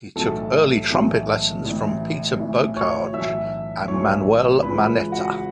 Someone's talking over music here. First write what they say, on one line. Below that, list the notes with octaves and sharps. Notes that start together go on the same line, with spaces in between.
He took early trumpet lessons from Peter Bocage and Manuel Manetta.
B1 A2 E3 A4 A5
B1 A2 E3
A1 A2 E3
A1 A2 E3
C#5 C#6
B1 A2 E3 E5 E6
B1 A2 E3 C#5 C#6
C#2 C#3 E3 B4 B5
F#4 F#5